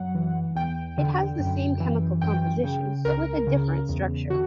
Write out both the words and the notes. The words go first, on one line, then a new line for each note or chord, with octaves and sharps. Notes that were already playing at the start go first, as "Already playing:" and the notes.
It has the same chemical composition, but with a different structure.
Already playing: F#2 F#3 F#5
E3
E2 G5
D3
F#2
E3
F#2 G5
C#3
C#2 A#4
C#3
E2
D3 F#4